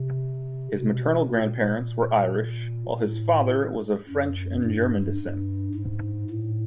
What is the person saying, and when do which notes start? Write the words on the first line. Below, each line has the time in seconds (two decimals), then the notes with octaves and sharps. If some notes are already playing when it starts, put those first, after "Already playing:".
His maternal grandparents were Irish, while his father was of French and German descent.
Already playing: C3
0.79 B2
1.35 A#2
3.00 A2
4.09 F#2
4.64 G2
5.20 G2
5.75 G#2
6.30 A2